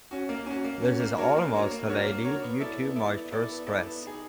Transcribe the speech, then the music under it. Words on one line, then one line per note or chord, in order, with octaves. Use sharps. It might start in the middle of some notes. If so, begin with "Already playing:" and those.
This is almost solely due to moisture stress.
C#4 F#4
A#3
C#4 F#4
A#3
C#4 F#4
A#3
D4 F#4 A#4 C#5
A#3
D4 F#4 A#4 C#5
A#3
D4 F#4 A#4 C#5
A#3
D4 F#4 A#4 C#5
B3
E4 A4 D5
B3
E4 A4 D5
B3
E4 A4 D5
B3
E4 A4 D5
B3
D#4 G#4